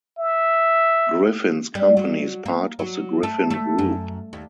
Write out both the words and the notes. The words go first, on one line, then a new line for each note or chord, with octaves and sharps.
Griffin's company is part of The Griffin Group.
E5
G3
F#3
A#3
F#3
A3
A3
F#2
D#2